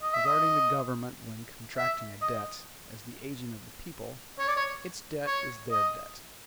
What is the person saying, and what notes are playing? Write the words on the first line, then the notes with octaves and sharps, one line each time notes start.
Regarding the Government when contracting a debt as the agent of the people, its debt is their debt.
D#5
E5
D#5
E5
D#5
C#5
D5
C#5
C#5
D#5